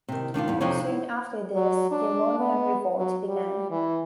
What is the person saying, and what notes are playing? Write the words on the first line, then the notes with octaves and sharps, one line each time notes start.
Soon after this, the Ionian Revolt began.
C3 D#3
D#3 D4 D#4 F4
E2 G2
F2 C3 F3 D4 D#4 C#5
E4
F#3
D4
B3
F#3
G3
E3